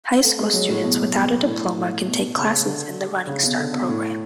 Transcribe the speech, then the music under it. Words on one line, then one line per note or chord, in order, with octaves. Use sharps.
High school students without a diploma can take classes in the Running Start program.
A3
G#3
F#3
A2
B2
B2
A2
A2
B2
C#3
D3
C#3
B2
D3
B2
A2